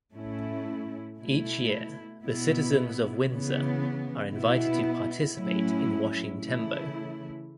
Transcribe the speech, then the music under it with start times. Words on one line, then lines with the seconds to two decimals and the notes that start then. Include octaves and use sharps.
Each year, the citizens of Windsor are invited to participate in washing "Tembo".
0.14 A2 A3 C#4 E4
1.18 B2 A3 E4
2.24 B2 B3 E4
3.28 C#3 E3 B3
4.32 B2 B3 E4
5.37 A2 F#3 C#4 E4
6.41 C#3 E3 A3 E4